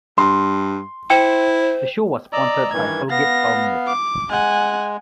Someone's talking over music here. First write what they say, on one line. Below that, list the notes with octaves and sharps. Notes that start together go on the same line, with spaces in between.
The show was sponsored by Colgate-Palmolive.
G2 C6
E4 C5 G5
D5 D#5 A#5 E6
G2 D#3 E3 G#6
B3 F5 A#6
D6
G#3 F#5 G#5